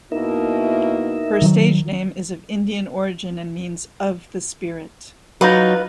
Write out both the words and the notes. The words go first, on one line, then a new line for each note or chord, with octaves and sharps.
Her stage name is of Indian origin and means "of the spirit".
B2 A#3 D#4 E4 A#4 E5
D#3 F3 F#3
F#3 D#4 F4 B4